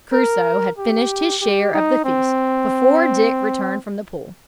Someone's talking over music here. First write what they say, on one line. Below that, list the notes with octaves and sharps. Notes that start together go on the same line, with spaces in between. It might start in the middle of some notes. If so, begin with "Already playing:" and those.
Crusoe had finished his share of the feast before Dick returned from the pool.
A#4
G4
G4
D#4
C4